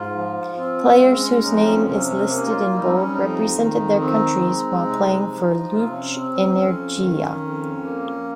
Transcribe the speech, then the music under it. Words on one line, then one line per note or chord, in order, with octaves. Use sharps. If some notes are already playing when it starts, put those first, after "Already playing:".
Players whose name is listed in bold represented their countries while playing for Luch-Energiya.
Already playing: G#2 F4
F3
C4 F4
G#3 C#4
F2 D#4
C#4
C3 C#4
C#4
A#3 C#4
D#4
F4
G3 D#4
C4
C#4
F2 D#4
D#3
C4 D#4
G#3
C3
F3
C3 F4
C#4
C4
C#4
D#4
C#4
F2
D#3
F2
A#3